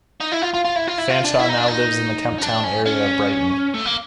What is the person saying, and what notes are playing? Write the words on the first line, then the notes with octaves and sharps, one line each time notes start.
Fanshawe now lives in the Kemp Town area of Brighton.
D#4
E4
F4
F4
F4
E4
F4
E4
F4
D4
E4
D#4
D4
D#4
C#4
D4
C#4
C#4
A3
A#3